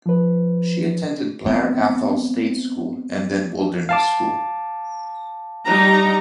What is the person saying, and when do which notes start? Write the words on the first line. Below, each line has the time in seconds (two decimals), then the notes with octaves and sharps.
She attended Blair Athol State School and then Wilderness School.
0.06 F3 B4
1.46 G#3 B3 C4
3.89 F5 A5 D6
5.65 G3 D#4 A#5